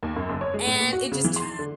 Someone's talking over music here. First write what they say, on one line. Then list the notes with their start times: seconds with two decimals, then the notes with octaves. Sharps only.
and it just turned
0.03 D#2
0.16 F#2
0.29 F#1
0.41 C#5
0.54 G#3
0.66 A2
0.80 A#2
0.93 F#4
1.12 C#3
1.24 E3
1.36 C6
1.59 D3